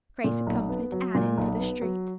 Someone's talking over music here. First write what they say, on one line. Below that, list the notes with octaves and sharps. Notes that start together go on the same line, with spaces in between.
Grace accompanied Anne into the street.
A#2
B1
B3
F#3
A#2
B1
B3
F#3